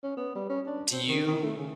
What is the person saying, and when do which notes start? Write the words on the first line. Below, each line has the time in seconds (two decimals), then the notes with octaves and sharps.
Do you
0.03 C#4
0.17 B3
0.35 G3
0.49 C#4
0.67 D4
0.92 C4
1.08 D#3
1.26 D#3
1.43 A3
1.57 C#3